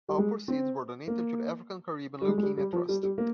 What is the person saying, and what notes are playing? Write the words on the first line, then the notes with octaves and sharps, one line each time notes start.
All proceeds were donated to the African Caribbean Leukaemia Trust.
G3
G#3
C4
A#3
G3
G#3
G#3
G3
G3
F3
G3
G3
A#3